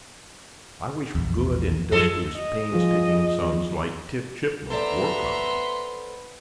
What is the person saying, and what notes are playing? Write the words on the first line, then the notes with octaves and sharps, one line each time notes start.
I wish good, industrious, painstaking sons like Tip Chipmunk WERE common.
A#1 E2
F#2 F3 G#3 A4
D#5
F3 F4 G#4
B3 A4 C5 D5 E5 A#5 C6